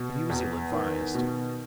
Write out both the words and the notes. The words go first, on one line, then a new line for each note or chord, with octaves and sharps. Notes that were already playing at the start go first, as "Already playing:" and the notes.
But he was ill-advised.
Already playing: B2
E2
D#3
B2